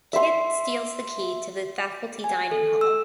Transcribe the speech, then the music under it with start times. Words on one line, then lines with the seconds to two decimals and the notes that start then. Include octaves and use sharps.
Kid steals the key to the faculty dining hall.
0.13 E5 C6
2.24 G#5
2.51 A4
2.81 E6